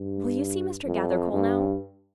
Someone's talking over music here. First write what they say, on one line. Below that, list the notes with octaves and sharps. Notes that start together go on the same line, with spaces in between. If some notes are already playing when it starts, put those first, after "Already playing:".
"Will you see Mr. Gathercole now!"
Already playing: G2
F2
G2